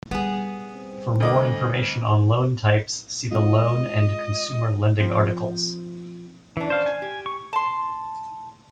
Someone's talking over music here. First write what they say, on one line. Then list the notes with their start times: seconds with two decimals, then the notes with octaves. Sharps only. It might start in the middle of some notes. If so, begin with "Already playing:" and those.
For more information on loan types, see the loan and consumer lending articles.
0.11 G3 B3 G#4
0.74 C4
1.20 D2 D#5 D6
3.31 G#3 C4 F4 D#5
5.00 F3 C4
6.57 E3 C#4 D4
6.70 C5 F5
6.86 G#5
7.02 G4
7.26 C#6
7.53 A5 C6